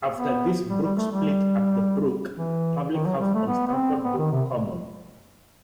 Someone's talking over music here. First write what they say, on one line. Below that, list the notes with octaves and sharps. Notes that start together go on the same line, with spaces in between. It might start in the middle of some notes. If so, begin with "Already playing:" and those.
After this the brook split at "The Brook" public house on Stamford Brook Common.
B3
G3
G3
A3
G3
E3
D#3
F#3
G3
A3
B3
B3
C4
B3
D#3
C3